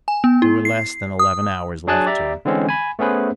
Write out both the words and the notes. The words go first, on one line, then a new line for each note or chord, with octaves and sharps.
There were less than eleven hours left to him.
G#5
B3
E4
C7
D#6
F#3 D4 G#4 G#5 A5 F#6
G4 D5 E5 A#5
D3 E3 G#3 C4 C#4
G#5 B5
A3 B3 C#4 G#4 B4 C5